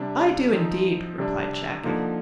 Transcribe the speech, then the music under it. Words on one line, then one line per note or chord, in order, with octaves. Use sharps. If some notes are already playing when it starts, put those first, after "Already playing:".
"I do, indeed," replied Shaggy.
Already playing: C3 G3 D4
F3 C4 D#4
C3 G3 D4
D3 F3 A#3 D#4